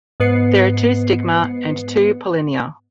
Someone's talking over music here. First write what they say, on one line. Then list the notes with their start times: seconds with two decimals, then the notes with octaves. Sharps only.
There are two stigma and two pollinia.
0.20 G#2 B3 B4 C7 C#7